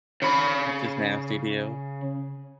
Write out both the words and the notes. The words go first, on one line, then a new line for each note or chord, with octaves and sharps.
Just nasty to
C#3 B5